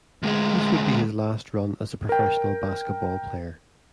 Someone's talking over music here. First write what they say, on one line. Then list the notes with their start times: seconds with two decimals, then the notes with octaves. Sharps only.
This would be his last run as a professional basketball player.
0.23 D2 G#3
2.09 A#4 G5